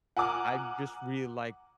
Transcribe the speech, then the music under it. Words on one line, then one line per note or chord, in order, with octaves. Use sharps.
I just really like
F#5 G#5 A#5 D6 D#6 F6